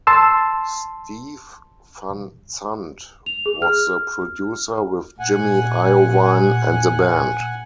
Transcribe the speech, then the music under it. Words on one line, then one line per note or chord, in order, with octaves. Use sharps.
Steve Van Zandt was the producer, with Jimmy Iovine and the band.
A5 C6 E6
F7
G#4
F6
A#2 F#5 G#5